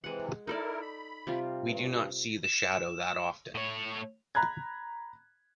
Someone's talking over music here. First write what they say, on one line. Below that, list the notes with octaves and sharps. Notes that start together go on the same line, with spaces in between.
We do not see the shadow that often.
C3 E3 G#3 F#5
D#4 E4 A4 A#4 D5
B5
C3 G3 F4
G2
E7
A2 C#5
A#5 B5 F#6 G#6